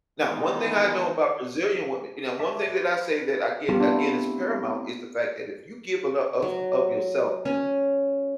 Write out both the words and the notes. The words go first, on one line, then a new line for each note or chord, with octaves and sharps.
Now, one thing I know about Brazilian women you know, one thing that I say that I get again is paramount is the fact that if you give enou ...ough of yourself
D#3 E3 G#3 B3 D#4
E5 A5 D6
B4 C#5
G3 B3 C#4 F4 G4
A3 C4 D4 E4
F#3
C#4